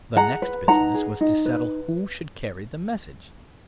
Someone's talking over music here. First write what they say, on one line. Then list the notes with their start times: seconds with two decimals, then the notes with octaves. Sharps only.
The next business was to settle who should carry the message.
0.16 G#4 F#5 A#5
0.42 B4
0.68 D#4 F#5 A#5
0.94 G#4
1.21 D#4
1.45 B4